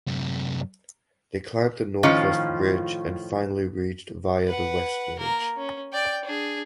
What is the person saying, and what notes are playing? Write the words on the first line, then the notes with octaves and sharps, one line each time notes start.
They climbed the northwest ridge and finally reached via the west ridge.
F#2 C3
A2 D#3 F3 C#4 F4
B4 F#5
A#3 A#4
C#4
D5 G5
D4 G#4